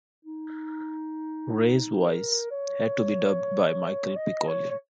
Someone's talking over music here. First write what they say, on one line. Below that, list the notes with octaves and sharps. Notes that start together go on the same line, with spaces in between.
Rey's voice had to be dubbed by Michel Piccoli.
D#4
A#4
C#5
C#5
D#5
C#5
C#5